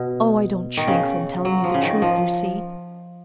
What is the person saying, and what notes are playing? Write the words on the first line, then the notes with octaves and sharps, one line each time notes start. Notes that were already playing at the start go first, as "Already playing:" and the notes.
Oh, I don't shrink from telling you the truth, you see.
Already playing: B2
D#3
C#3
F#3
F3
C#3
D#3
F3